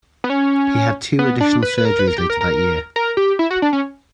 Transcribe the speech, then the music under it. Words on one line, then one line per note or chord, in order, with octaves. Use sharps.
He had two additional surgeries later that year.
B3
C#4
B3
D4
B4
B4
A#4
B4
A#4
G4
A#4
A#4
A#4
G4
E4
F#4
D4
C#4